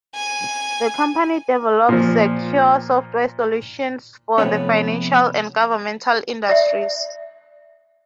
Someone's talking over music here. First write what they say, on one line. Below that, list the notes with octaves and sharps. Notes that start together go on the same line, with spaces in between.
The company develops secure software solutions for the financial and governmental industries.
G#5
A#2 F3
C3 F3 F#3 A3 B3 C#4
D5 E5